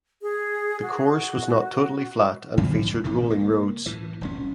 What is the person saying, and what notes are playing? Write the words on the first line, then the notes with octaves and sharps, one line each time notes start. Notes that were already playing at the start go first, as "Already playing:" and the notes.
The course was not totally flat and featured rolling roads.
G#4
F#4
G#2 E3 G3 A3
E2
A#1 C3 F3 A3
A#3
A2 E3
F1 C2 C#4